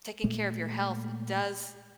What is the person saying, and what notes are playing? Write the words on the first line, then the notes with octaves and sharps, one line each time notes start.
taking care of your health does
A#2 G#3 A3